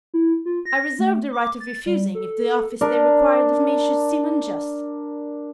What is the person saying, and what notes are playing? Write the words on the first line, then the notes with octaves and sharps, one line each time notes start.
I reserved the right of refusing if the office they required of me should seem unjust.
E4
F4
A#6
A3
D6
A6
G3
A4
D4 A#4